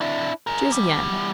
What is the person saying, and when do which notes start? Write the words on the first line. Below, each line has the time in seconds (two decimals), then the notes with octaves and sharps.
Choose again.'
0.01 D4 E4
0.47 G#4 A#4
0.71 E2 G3